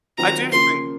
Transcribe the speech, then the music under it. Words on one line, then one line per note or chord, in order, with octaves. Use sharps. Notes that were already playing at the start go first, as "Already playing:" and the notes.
I do think
D#3 F#3 C4 F4 A#5
C#3 F3 A#3 C6